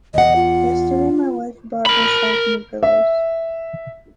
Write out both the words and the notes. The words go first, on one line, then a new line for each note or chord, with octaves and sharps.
Yesterday my wife bought herself new pillows.
E2 D#5 F#5
F4
A#4 B5
E5